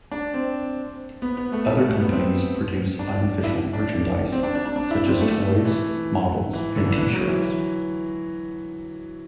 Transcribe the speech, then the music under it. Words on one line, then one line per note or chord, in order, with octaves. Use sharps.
Other companies produce unofficial merchandise, such as toys, models and T-shirts.
D4
C4
B3
B3
A3
G3
A3
A3
B3
C4
D4
E4
D4
C4
D4
D4
D4
D4
E4
C4
A3
E3
E3
D3
E3
D3
E3
F#3
E3
E3